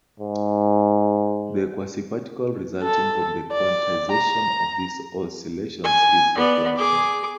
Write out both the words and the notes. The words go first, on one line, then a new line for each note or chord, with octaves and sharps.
The quasiparticle resulting from the quantization of these oscillations is the plasmon.
G#2
A4
D5
A#5
G#5
B3 D5
G#4 D6